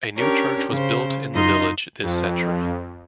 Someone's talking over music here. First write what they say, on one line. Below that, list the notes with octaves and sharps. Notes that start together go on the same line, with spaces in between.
A new church was built in the village this century.
C#4 D4 G4 A#4 C#5
C#3 C5
F#2 D#4 F4 D#5 C6
F2